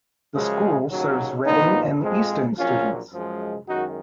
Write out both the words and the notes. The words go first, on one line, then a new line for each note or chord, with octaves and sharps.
The school serves Redding and Easton students.
F#2 C#3 F3 G#3
D#2 C#3 F#3
A#1 A#2 F3 B3 D#4
F2 F3 G#3
A#1 A#2 F#3 C#4 F4
F#2 F3 G#3
F#2 D#3 G#3 D#4 F#4